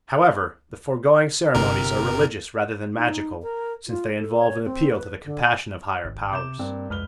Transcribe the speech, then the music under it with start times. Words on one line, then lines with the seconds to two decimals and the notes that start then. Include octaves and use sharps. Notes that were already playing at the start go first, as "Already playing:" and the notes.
However, the foregoing ceremonies are religious rather than magical, since they involve an appeal to the compassion of higher powers.
1.55 G1 C3 A#4
2.97 D#4
3.42 A#4
3.88 F4
4.18 A4
4.39 C#5
4.66 C4
4.96 B4
5.25 D3
6.05 G#1
6.32 C3 D6 G6 E7
6.59 G2 A#3 C4
6.90 C2 F2 G#3 B4 F6 G7